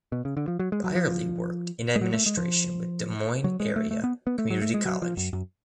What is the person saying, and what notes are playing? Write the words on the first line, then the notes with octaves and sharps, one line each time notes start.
Byerly worked in administration with the Des Moines Area Community College.
B2
C#3
D3
F3
F#3
G#3
F#3
F3
G#3
F#3
A3
G#3
F3
F#3
G#3
A3
A3
B3
B3
A3
F#3
A3
G#3
F#3
F3
F#2
F#2